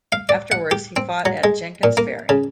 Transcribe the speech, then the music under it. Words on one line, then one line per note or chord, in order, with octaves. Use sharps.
Afterwards he fought at Jenkin's Ferry.
F5
D5
F#5
G4
C4
F#3
G#3
A#2
A#3
C#3